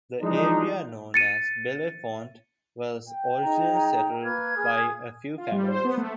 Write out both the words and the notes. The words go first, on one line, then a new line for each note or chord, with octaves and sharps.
The area known as Bellefonte was originally settled by a few families.
E3 F3 G#3 D4 D#4
A6 C#7 D#7
G5
D#4 G#4 A#5
A#3 B4 F6 G#6
G#4
F4
G3
C5
B3
A3